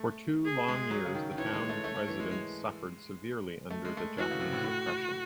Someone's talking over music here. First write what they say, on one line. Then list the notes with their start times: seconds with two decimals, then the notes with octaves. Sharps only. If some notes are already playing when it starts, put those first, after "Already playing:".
For two long years, the town residents suffered severely under the Japanese oppression.
Already playing: A3
0.45 G#4
0.68 G#3
0.91 F#3
1.05 C#3
1.14 D#3
1.31 D#3
1.38 E3 C#5
1.53 G#3
1.69 A3
1.84 A3
1.96 A3
2.08 E3
2.20 G#3
2.31 G#3
3.70 A3
3.85 G#3
3.97 A3
4.18 E3 F#4
4.31 C#3
4.40 C3
4.52 A2
4.64 A2